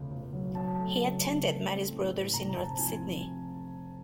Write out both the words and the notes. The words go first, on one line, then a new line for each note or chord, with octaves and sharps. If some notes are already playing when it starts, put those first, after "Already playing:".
He attended Marist Brothers in North Sydney.
Already playing: E1 C#2 A3
C#2
F#3
F#3 A5
A3
C#3
C#3
A3
C4
A2
C4
F1 A#5
F1 A5
F3 G#5